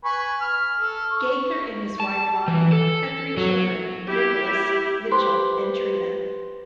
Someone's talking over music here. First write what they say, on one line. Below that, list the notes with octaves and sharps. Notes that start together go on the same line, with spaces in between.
Gaither and his wife, Vonnie, had three children, Nicholas, Mitchell and Trina.
B4 G#5 C#6
F6
A4
C#6
A5
E3
A4
F#3
E4 G4
G4 B4 C5 C6